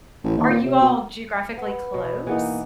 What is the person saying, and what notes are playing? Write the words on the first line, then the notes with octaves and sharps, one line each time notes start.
Are you all geographically close?
A1
D#2
A#2
C3
B2
B3 B4
B2
E3 A#3 B3 D#4